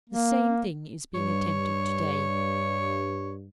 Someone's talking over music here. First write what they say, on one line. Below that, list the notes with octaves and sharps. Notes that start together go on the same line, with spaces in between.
The same thing is being attempted to-day.
A#3
G2 C#5